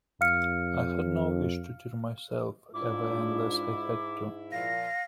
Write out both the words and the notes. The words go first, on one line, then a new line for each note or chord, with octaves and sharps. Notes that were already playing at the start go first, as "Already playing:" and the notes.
I had no wish to tear myself away unless I had to.
F2 F5 F6 C#7
G#2 D4 E4 F4 D6
A#2 F3 F5 A#6